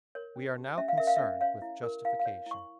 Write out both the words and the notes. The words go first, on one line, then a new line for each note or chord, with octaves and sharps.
We are now concerned with justification.
A#4 C#5
C#4
G4
C#4 E5
F5
A#4 E5
F5
C#4 E5
C#5 F5
E4
A#4
E4 F5
F5
C#5
E4 C#6